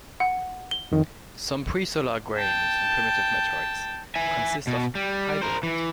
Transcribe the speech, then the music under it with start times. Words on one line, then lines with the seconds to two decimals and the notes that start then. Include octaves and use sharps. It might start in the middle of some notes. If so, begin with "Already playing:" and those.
Some presolar grains in primitive meteorites consist of hibonite.
0.20 F#5
0.71 G7
0.92 F2 D#3
2.37 G5 A5
4.15 E5 G#5
4.67 B2
4.95 G3
5.42 A#4 C5
5.63 E3